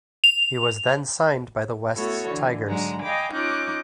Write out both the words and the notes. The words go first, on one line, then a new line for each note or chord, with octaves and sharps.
He was then signed by the Wests Tigers.
F7
A3 B3 E4 F#4 A4 C#5
D3 E3
G#2 D3 F#3 G#3 F#5 A#5
D#5 F5 G5 G#5 B5 D6
C#4 D#4 F4 D6 F#6 G6